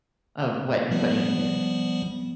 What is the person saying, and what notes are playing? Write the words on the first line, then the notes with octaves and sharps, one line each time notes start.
of what you're putting in there.
F3 G3 B3